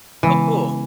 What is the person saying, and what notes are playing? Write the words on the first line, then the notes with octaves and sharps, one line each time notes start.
Oh, cool.
C#3 E3 G#3 B3